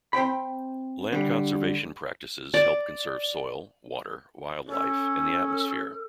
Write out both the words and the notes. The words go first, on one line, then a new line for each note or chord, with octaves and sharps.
Land conservation practices help conserve soil, water, wildlife, and the atmosphere.
C4 C5 G5 B5
D3 G3
D5
C#4 A4